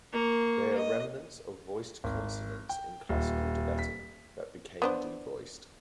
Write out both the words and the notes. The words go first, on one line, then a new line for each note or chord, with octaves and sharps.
They are remnants of voiced consonants in Classical Tibetan that became devoiced.
A#3 C#6
D#5
G#1
G5
D#1
B6
B3 D4 C5